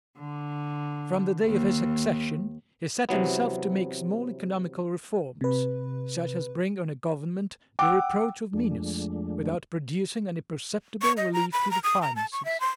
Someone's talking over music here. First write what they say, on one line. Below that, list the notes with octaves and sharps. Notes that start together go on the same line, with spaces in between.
From the day of his accession he set himself to make small economical reforms, such as bring on a government the reproach of meanness without producing any perceptible relief to the finances.
D3
D#2
C3 E3 F#3 B3
C3 B4
F#5 G5 D6 E6
F2 F3 G#3 A3 D4
C#6
D#5
A#5
B5
A#5
D#6
A#5
A5
C#6
E5
C6